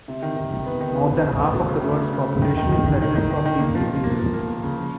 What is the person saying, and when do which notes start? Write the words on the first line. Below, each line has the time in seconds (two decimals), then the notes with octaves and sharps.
More than half of the world's population is at risk of these diseases.
0.08 C3
0.22 D#3
0.36 D#3
0.52 D#3
0.66 B3
0.81 D#3
0.95 B3
1.10 B3
1.25 C#3
1.40 A3
1.54 F#3
1.69 C#3
1.83 A3
1.99 C#3
2.13 C#3
2.28 C#3
2.42 D#3
2.57 D#3
2.72 D#3
2.86 D#3
3.02 D#3
3.15 D#3
3.30 D#3
3.45 D#3
3.59 A#3
3.75 F3
3.89 F3
4.04 A#3
4.19 F3
4.33 A#3
4.48 A#3
4.63 C#3
4.77 F3